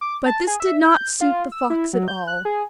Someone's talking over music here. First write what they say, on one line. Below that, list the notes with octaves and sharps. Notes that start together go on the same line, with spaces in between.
But this did not suit the fox at all.
D6
A5
G#4
E5
G6
F4
E6
E4
F#3
G6
F#6
G#4